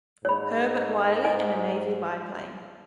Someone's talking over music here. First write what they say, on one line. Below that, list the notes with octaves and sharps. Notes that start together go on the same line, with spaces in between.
Herbert Wiley, and a Navy biplane.
G#2 C#5 B5
D#5 G#5